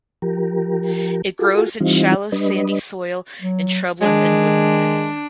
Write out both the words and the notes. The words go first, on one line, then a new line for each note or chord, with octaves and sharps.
It grows in shallow sandy soil in shrubland and woodland.
F3 G4 A#4
F4 F#4 G#4 A4
E3 G3 C4 D#4 F4
G3 D4 B4 D#5
F#3
D#3 G#3 D4